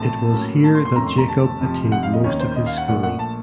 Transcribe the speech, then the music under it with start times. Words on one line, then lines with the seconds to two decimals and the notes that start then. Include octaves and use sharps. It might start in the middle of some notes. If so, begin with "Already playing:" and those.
It was here that Jacob attained most of his schooling.
Already playing: A#1 A2 A3 C4 A5
0.32 A2 F#3 A#3 C#4
0.64 A5
0.75 C6
0.85 C6
0.96 F2 D#3 A3 C#4 A#5
1.07 C6
1.18 A#5
1.28 A5
1.60 F1 F2 C3 F3
1.92 F#5
2.03 F5
2.13 D#5
2.24 D#2 D#3 A#3 C#4 C#5
2.40 C5
2.56 D#5
2.66 F5
2.78 F#5
2.88 A#1 A#2 A3 F#5
3.03 F#5
3.19 A5